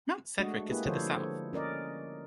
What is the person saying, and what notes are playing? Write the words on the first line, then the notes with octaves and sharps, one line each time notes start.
Mount Sedgwick is to the south.
G#3 A3 D4 F#4 D#5
A#3 E4 G4 G#4 B4
D3 F3 A4 C5 C#5
C#4 A#4 D5 D#5